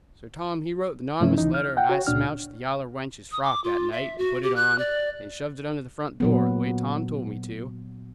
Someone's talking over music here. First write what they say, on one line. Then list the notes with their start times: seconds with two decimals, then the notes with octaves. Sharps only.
So Tom he wrote the nonnamous letter, and I smouched the yaller wench's frock that night, and put it on, and shoved it under the front door, the way Tom told me to.
1.20 G2 C3 F3 A3 C#4 E4
1.38 C#2 E3 D#4
1.54 F6
1.77 F#5 G5
1.89 F#4 C#5
2.07 C#2 A#2 D4 F6
3.32 D#6
3.43 D6
3.64 F4
3.92 E5
4.18 F#4
4.43 G4
4.56 F#6
4.79 D5
6.20 A#2 F#3 B3